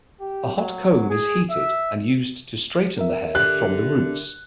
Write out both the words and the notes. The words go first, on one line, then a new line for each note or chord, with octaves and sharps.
A hot comb is heated and used to straighten the hair from the roots.
G4
F#3
G#4
E5
A#4 E5
D3 G4 F#6